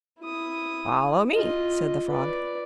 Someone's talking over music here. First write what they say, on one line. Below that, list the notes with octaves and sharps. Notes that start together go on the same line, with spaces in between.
"Follow me," said the frog.
E4 D#6
F4 D#5
B4 D5